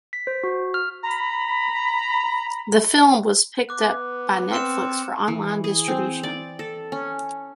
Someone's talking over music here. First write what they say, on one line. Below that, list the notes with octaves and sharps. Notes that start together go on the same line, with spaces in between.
The film was picked up by Netflix for online distribution.
B6
C5
F#4
F6
A#5 B5
B3 D6 F#6
C4 F6 C#7 E7
E3
G#4
C4
D5
A4
C#4